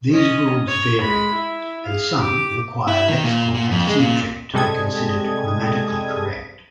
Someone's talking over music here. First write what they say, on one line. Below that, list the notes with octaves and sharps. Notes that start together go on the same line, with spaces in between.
These rules vary, and some require lexical asymmetry to be considered grammatically correct.
C#4 D#5
C#5
G#3 B5
E4
G#4 F5
G4 D6
E4
D#3
A#2
A#2
F2
G#3
A#2
C3 G3 G#3 A4 D#6 G#6